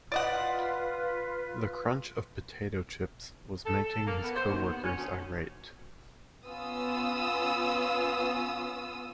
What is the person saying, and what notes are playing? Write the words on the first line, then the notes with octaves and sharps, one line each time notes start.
The crunch of potato-chips was making his co-workers irate.
F4 B4 D5 D#5 F#5
A4
A4
A#3
B3
C5
D#2
B3
C#4
D2
B3 C#4 F4 D#6 E6